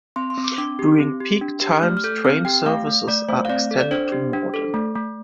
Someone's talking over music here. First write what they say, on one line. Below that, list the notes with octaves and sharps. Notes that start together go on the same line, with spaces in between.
During peak times train services are extended to Morden.
C4 C6
C6
C4
D6
D4 D6
G4
C4
G4
D4
G4
A3 F6
F6
A4 G6
C4 F6
G4 G5
A3 F5
A3
A3 D5
A3 C5
F5
C4 D5
A4
D5
D4 C5
G4
D4
A4
A3
A3